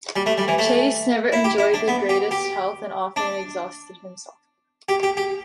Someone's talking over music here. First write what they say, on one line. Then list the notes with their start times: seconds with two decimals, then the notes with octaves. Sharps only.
Chase never enjoyed the greatest health and often exhausted himself.
0.16 G3
0.26 A3
0.38 G3
0.48 E3
0.58 A3
1.32 E4
1.44 G4
1.58 E4
1.74 D4
1.88 B3
2.09 G4
2.31 G4
3.16 D4
4.89 G4
5.03 G4
5.17 G4